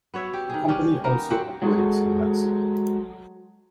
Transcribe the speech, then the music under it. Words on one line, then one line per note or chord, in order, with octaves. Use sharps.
The company also operates in Mexico.
B3 F#4 C#5 E5
G4
D#3 G#4
D#3 C#4 D4 G4
A#3 B3 D#4 A#4
C4 F#4 G4 F#5
F#3 G#3 F#4 G#4 A4 C5